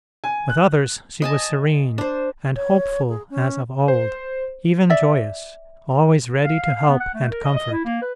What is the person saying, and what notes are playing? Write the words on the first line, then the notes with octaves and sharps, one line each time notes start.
With others she was serene and hopeful as of old, even joyous, always ready to help and comfort.
G#5
F#6
D#5 G#5 A5
D4 C5
C#5
G#4
C#4
C5
D5 E5
F5
F5
F5
B3
F#5
A3
A#4
D#5
D#5
E4
A#3
B4